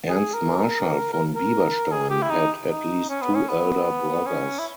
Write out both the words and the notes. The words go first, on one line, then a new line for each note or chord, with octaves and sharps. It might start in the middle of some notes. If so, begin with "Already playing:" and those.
Ernst Marschall von Bieberstein had at least two elder brothers.
G#4
A#4
A#4
A#4
G#4
G4
E4
D#4
D#4
C#4
B3
C#4
B3
C#4
E4